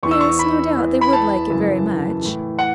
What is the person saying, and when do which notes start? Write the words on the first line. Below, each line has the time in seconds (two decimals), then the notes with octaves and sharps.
"Yes; no doubt they would like it very much."
0.03 E2 E3 C#6
0.11 E6
0.20 C#6
0.39 B5
0.76 E2 E3
1.01 B5
1.13 A5
1.49 F#2 C#3 E3
2.22 A2 E3
2.59 F#5